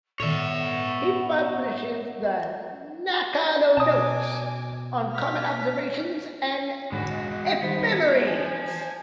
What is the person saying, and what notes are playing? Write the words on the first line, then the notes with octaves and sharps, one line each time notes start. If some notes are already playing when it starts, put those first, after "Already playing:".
He publishes the "Nakano Notes" on comet observations and ephemerides.
A#2 D#3 B3 C#5 E5
B2 G#5 A5 D6 D#6
F6 B6
G#2 D3 G#3 F#4 B5
D#5
D#3 G3 B3 C5
B3 C#5 E5
C5 G#5 A5